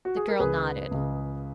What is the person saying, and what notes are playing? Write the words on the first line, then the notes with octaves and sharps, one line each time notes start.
The girl nodded.
F#4
G#4
A#4
C#2 C#3 G#4 B4
C#2 C#3